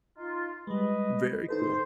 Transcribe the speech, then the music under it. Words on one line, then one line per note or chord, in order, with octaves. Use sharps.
Very cool.
D#4 F4
G3 G#3 B4 D#5
G#2 D3 D#4 A4 B4 C5